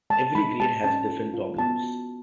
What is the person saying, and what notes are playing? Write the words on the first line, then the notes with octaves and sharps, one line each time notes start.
Every grade has different problems.
G#3 A5
G#3 B5
G#3 A5
C#4 A5
F4
F4
B3 A5
F#4